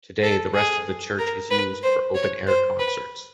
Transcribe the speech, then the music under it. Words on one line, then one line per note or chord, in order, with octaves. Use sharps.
Today, the rest of the church is used for open air concerts.
A4
G#4
A#4
B4
C5
C#5
C5
B4